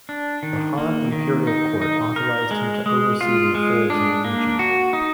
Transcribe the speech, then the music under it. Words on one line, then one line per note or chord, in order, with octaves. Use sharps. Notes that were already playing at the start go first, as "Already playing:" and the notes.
The Han imperial court authorised him to oversee the affairs in the region.
D4
D#3
A#3
D#3
D#4
D#4
A#4
G#3
G#3
F4
G#3
D4
A#3
F#4
D#4